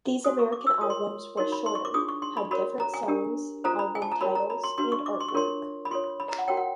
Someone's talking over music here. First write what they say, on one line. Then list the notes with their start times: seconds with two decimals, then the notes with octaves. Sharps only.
These American albums were shorter, had different songs, album titles and artwork.
0.24 F#4 A4 C5 D#6
0.39 C#6
0.52 D6
0.67 E6
0.81 F4 A#4 C#5 D#6
0.90 C6
1.37 D#4 F#4 A#4 C#5 C6
1.52 B5
1.66 C6
1.75 C#6
1.85 D6
1.94 D4 F4 G#4 D#6
2.08 C#6
2.22 C6
2.37 B5
2.51 F#4 A#4 C#5 B5
2.80 A#5
2.94 G#5
3.08 D4 G4 A#4
3.64 F4 A4 C5 A#5
3.79 B5
3.95 G#5
4.02 A5
4.12 A#5
4.21 F#4 A#4 C#5 B5
4.35 A#5
4.50 B5
4.64 C6
4.78 D4 F#4 B4 C6
4.92 C#6
5.06 D6
5.20 C6
5.28 C#6
5.34 D4 F4 A#4 C#5 C6
5.85 B5
5.91 F4 A4 C#5 C6
6.20 B5
6.29 A#5
6.39 F#5
6.48 F#4 A#4 C#5 G5
6.57 F#5